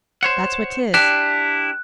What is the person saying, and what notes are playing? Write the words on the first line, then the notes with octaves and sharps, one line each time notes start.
"That's what 'tis."
C5 C#5 F#5
D4 E4 G4 F#6